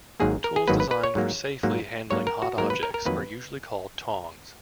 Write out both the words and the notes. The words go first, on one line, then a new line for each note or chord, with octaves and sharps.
Tools designed for safely handling hot objects are usually called tongs.
G#1 G#2 D#3 F#3 A#3 G#4
A#4
G#4
G#1 G#2 D#3 F#3 A#3 B4
B4
B4
C#5
G#2 F#3 A#3
G#2 F#3 A#3
G#2 F#3 A#3 C#5
A#4
F#4
G#2 F#3 A#3 A#4
B4
A#4
A#4
F2 D#3 F#3 A#3 B4